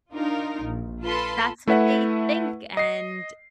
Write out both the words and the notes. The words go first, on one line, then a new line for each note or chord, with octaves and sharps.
That's what they think. And,
D4 D#4 F4 A#4
A#1
F4 A4 B4 A5 B5 C6
A3 E4 B4 E5 F#5
D#5 C7